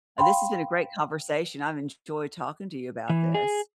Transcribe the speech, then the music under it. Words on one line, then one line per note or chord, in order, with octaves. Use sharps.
Uh, this has been a great conversation. I've enjoyed talking to you about this.
F5 G5 B5 C6
E3
G#4